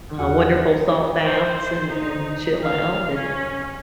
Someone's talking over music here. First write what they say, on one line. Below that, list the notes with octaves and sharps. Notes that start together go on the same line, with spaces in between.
uh, wonderful salt baths, and and chill out, and,
E2 G3 C#4 F#4 F#5 G#5
C5
D#4
F5
C#4